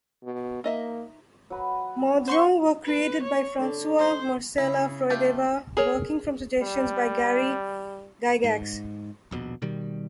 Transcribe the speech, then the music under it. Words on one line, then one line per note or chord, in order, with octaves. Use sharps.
Modrons were created by Francois Marcela-Froideval, working from suggestions by Gary Gygax.
B2
A#3 D#4 D#5 E5
F#3 B4
C5 F#5 C6 C#6
B4
C#5
D3
C5
C#3 E4
A3 F4 G4
G#4 A#4 C#5
G3
G#2
D#1 A#1 B2
B2 D#3 G3